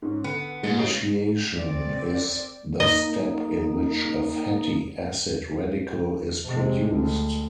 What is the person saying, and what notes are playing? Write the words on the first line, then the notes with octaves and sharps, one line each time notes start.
Initiation is the step in which a fatty acid radical is produced.
G#2 C#4
D3 B3
G#2
C#3 G#3 D#4 F#4
C4 D5
A#3 D#4 D#5
C3 G#3
D2